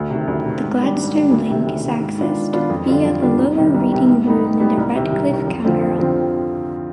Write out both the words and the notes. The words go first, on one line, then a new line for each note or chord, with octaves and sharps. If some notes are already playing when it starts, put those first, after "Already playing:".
The Gladstone Link is accessed via the lower reading room in the Radcliffe Camera.
Already playing: D2
C3 D#3
D2
C3 D#3
G#2
D#3 G3 D4
G#2
D#3 G3 D4
D2
C3 D#3
D2
C3 D#3
G#2
D#3 B3 D4 F4
G#2
D#3 B3 D4 F4
F2
D3 G3 D4 F4
F2
D3 G3 D4 F4
C2
C3 D#3 G3
C2
C3 D#3 G3
G#2
G3 B3 D#4
G#2
G3 B3 D#4
C2
C3 D#3
C2
C3 D#3
F2
D3 F3 C4 F4
F2
D3 F3 C4